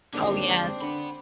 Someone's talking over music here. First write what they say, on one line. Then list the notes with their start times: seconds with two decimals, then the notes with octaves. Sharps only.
Oh, yes.
0.14 D#2 D3 G#3 C4 D4
0.81 D3 F#5 B5